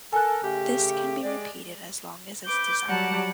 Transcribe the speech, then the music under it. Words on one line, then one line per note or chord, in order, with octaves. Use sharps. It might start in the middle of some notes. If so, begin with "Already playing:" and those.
This can be repeated as long as is desired.
A4 A#4 G#5 F#6
C#3 A3 G4
G#3 D5
B4 D6 G6
F#3 G3 G4 F#5 A5